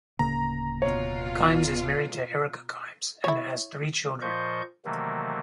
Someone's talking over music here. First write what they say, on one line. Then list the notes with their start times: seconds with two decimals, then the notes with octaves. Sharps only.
Kimes is married to Erica Kimes and has three children.
0.19 D1 C#3 A#3 A#5
0.82 B2 F4 C#5
3.24 E4 C#5
4.22 A#2 F3 C5 D#5 C#6 G6
4.85 C3 D#3 E3 F#3 A3 A#3